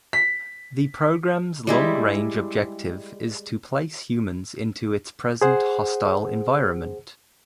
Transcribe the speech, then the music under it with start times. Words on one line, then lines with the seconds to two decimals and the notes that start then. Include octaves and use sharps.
The programs long range objective is to place humans into its present hostile environment.
0.13 B6
1.67 G3 G#3 E4
5.42 G#4 C5 F#5